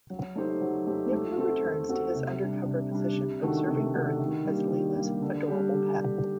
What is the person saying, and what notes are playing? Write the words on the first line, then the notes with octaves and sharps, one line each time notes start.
Nibbler returns to his undercover position observing Earth as Leela's adorable pet.
F#3
A3 D#4 G4 C5
F#3
A3 D#4 G4 C5
A3
C4 F#4 A4
A3
C4 F#4 A4
C3
G3 D4
C3
G3 D4
C3
D#3 A3 D4 F#4
C3
D#3 A3 D4 F#4
D#3
G3 A#3 D4 G4
D#3
G3 A#3 D4 G4
D3
G3 D4 G4
D3
G3 D4 G4